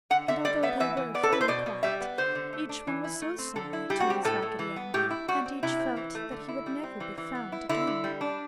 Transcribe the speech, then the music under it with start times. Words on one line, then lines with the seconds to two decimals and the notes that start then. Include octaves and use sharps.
And although they were very quiet, each one was so sorry to lose Raggedy Andy, and each felt that he would never be found again.
0.10 D3 F#5
0.28 D3 E5
0.45 G3 D5
0.63 B3 E5
0.80 E3 E5
0.97 E3
1.14 B3 D5
1.23 A4
1.32 E4 B4
1.41 C5
1.48 B2 D5
1.66 B2
1.83 G3 E5
2.01 B3
2.18 D3 C5
2.35 D3
2.53 A3
2.69 D4
2.87 E3
3.04 E4
3.22 A3
3.38 C4
3.56 D3 A4
3.73 E4
3.90 G3 G4
4.00 F#4
4.07 C4 G4
4.25 A2 A4
4.42 A2
4.59 E3
4.76 B3
4.94 A2 G4
5.11 E4
5.28 G3 F#4
5.46 C4
5.63 C3 E4
5.79 C4
5.97 E3
6.15 A3
6.31 D3
6.48 E4
6.66 G3
6.83 C4
7.00 E3
7.18 E3
7.35 B3
7.52 E4
7.69 D3 E4
7.87 D3
8.04 G3
8.21 D4